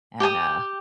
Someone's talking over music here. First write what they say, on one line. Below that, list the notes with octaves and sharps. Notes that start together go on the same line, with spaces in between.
and, uh,
G4 G5 G#5 D#6